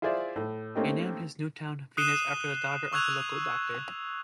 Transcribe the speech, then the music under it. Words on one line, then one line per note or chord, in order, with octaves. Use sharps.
He named his new town "Venus", after the daughter of a local doctor.
E4 F4 G#4 C5 D5 E5
A2
A3 A#3 C4 C#4 D#4 G4
D#6 F#6 C7 D#7 E7 G7
C#6 E6 F#6 G#6 F7